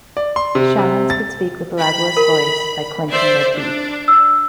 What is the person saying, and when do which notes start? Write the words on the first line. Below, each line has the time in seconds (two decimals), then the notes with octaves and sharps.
Shamans could speak with Lagua's voice by clenching their teeth.
0.17 D5
0.36 C6
0.55 C3
0.79 C3
1.10 A6
1.79 B5
2.17 A#4
3.12 C5 D5 E5
3.56 D4
4.08 E6